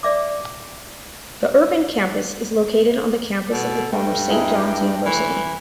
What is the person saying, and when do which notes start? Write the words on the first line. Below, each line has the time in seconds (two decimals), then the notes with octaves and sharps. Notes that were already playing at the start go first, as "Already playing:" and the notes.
The urban campus is located on the campus of the former Saint John's University.
0.03 D5 E5 D6
3.52 B2 A4
3.92 G2 A3 G5
4.30 D#4 E4 G#4
5.06 E3 A3